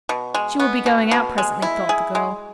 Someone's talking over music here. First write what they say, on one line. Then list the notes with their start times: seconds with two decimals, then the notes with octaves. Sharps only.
"She will be going out presently," thought the girl.
0.09 B2
0.34 G#3
0.60 B3
0.86 B2
1.11 B2
1.38 G#3
1.62 E4
1.89 G#4
2.15 G#3